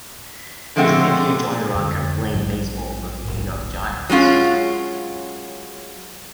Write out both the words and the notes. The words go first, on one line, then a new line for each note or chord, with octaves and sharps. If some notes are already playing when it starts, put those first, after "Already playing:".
His nephew Johnny Rucker played baseball for the New York Giants.
D3 F3 G#3 A3 C4 F#5
F2 D3
A#1 G#2 F#3 G3
D1 A#1
F#3 G#3 C#4 F4